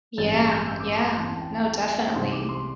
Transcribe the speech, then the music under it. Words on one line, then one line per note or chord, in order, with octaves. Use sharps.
Yeah, yeah, no, definitely.
A1 G2 G3 C4 A6
A6
G6
E6
D6
C6
C6
E2 E3 C4 C6
A5
G5
A5
G5
E5
G5
C2 C3 E3 G3 C6
D6
C6